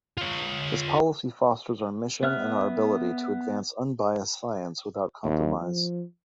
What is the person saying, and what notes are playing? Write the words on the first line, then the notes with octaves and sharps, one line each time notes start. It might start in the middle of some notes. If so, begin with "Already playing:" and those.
This policy fosters our mission and our ability to advance unbiased science without compromise.
F4 C#5
B3 E5 F6 F#6
D#2
F3